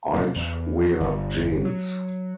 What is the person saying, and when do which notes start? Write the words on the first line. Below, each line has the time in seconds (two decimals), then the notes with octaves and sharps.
I'd wear jeans.
0.14 C3 D#3 F#3 A#3
0.36 E2
1.00 G1
1.65 F#3